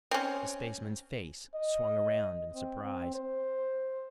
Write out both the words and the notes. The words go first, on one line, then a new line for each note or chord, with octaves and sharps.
The spaceman's face swung around in surprise.
C4 C#4
D#5
C4
C4
C5